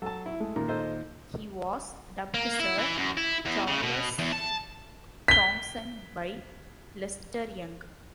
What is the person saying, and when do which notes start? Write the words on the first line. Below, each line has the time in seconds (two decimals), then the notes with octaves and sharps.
He was dubbed Sir Charles Thompson by Lester Young.
0.02 F#3 A4 A5
0.26 E4
0.40 G#3 A3
0.56 A#2 D#3 A#3 A#5
0.68 A4 C5 D#5
2.34 A#3
2.60 E4
2.79 E3
2.97 F#2
3.17 E4
3.45 E2
3.67 C#3
3.82 B2
4.19 E2
4.33 A5
5.28 B6 G7